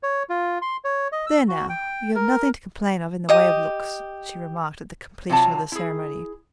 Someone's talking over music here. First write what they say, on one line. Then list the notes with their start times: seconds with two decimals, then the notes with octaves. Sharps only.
"There now, you have nothing to complain of in the way of looks," she remarked at the completion of the ceremony.
0.03 C#5
0.30 F4
0.62 C6
0.85 C#5
1.12 D#5
1.27 E6
1.48 F#4
1.69 G5
2.15 A#4
3.29 G4 D#5 D#6
5.29 C3 F#3 F4 A5
5.72 E4 G#4